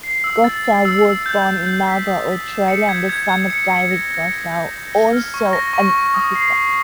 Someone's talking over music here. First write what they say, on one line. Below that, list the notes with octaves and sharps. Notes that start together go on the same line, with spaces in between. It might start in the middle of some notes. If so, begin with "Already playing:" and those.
Godsell was born in Melbourne, Australia, the son of David Godsell, also an architect.
C7
E6
A6
A6
E6
E6
G6
G6
G6
B6
D#6
B6
E7
C#7
G#6
G#6
G#6
C#7
C#7
A#6
A#6
C#7
G6
A#6
A#6
F6
C#6
A#6
C#6
C#6
D#6
C7
C7